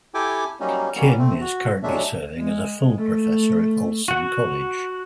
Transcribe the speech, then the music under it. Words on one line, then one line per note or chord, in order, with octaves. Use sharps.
Kim is currently serving as a full professor at Ulsan College.
E4 G4 A4 G5 G#5 D6
F#3 G3 A#3 C#4 D#4
D#3 F#3 G3 A#3 B3 C#4
A3 C4
F#4
D#2 F#3 G#3 A3 D4 E5
G#3
A3
F#4 F#5